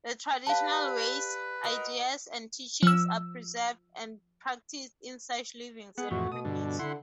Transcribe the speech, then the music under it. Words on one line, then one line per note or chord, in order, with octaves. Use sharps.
The traditional ways, ideas, and teachings are preserved and practiced in such living ceremonies.
G4 B4 D5 F5 A5
D#4 F#4 A#4
F3 E6
B3 G#4 F#5
F2 A2 E3 F#4
B2 D#6
G2 D3
D3 E4 F#5 C6